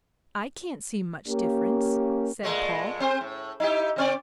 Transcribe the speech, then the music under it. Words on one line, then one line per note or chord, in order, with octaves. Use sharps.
"I can't see much difference," said Paul.
A#3 C#4 G4
A#2 G#3 A3
C4 C5
A2
D#4 E4 G4
C#3 C4 D5